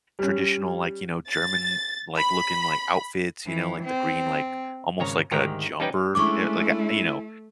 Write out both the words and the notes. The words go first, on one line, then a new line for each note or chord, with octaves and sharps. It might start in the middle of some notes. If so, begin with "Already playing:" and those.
traditional, like, you know, German, like, looking, like, outfits, you know, like, the green, like, almost like a jumper, y like a you know
G3 C#4
A6
B5
E3
C4
G#1 C#3 C#5 A#5
D2 G#2 D#3 G4 A#5
G3 C#4 D#4 B4 G5
G#3 A3 C#4 D4 E4 C#6 D6